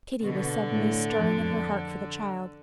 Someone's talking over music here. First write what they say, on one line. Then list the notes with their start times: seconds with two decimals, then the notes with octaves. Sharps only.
Pity was suddenly stirring in her heart for the child.
0.24 B2 D3
0.71 A2
1.17 F2